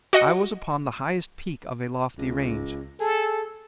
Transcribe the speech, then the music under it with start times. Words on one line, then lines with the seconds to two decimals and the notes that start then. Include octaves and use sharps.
I was upon the highest peak of a lofty range.
0.13 F#4 D#5 F#5
2.18 C#2
3.00 G#4 A4